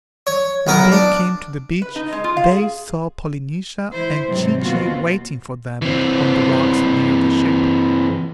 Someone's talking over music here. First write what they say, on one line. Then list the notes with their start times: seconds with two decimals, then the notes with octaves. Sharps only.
When they came to the beach they saw Polynesia and Chee-Chee waiting for them on the rocks near the ship.
0.27 C#5
0.67 B1 B3 A#4
0.92 D4
1.82 B4
1.96 D#4
2.12 G#3
2.24 F4
2.37 F5
2.51 G#4
3.93 E3 E4 C5
4.28 G#2 C3 E3 F#3 C4
4.63 D#2 B2 C4 F4 F#4
5.82 E3 C4